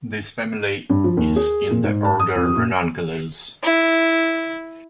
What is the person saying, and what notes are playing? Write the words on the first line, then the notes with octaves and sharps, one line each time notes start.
This family is in the order Ranunculales.
G2
F3
D#2
G#4
A#2
G#2
A5
D#6
F2
A#2
E4